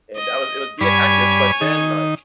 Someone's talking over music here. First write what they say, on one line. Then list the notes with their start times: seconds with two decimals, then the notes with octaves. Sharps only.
and I was it was being active, but then, like,
0.16 D#5
0.81 G2 C#5 D5 G#5 B5
1.61 D#3 D#4